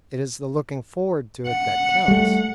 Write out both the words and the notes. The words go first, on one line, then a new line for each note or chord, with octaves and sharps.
It is the looking forward to it that counts.
F#5
G3 A3